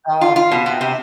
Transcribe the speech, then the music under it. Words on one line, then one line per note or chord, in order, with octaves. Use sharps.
Oh, I know.
F4
F4
B2
B2
C3